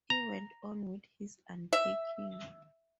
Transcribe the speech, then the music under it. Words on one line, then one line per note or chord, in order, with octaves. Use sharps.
He went on with his unpacking.
A#5
E5